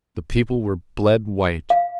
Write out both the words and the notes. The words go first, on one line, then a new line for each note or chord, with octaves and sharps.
The people were bled white.
F5